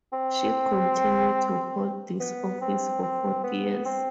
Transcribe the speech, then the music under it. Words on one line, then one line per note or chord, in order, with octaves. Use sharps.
She continued to hold this office for forty years.
C4
B3
C4
C4
B3
C4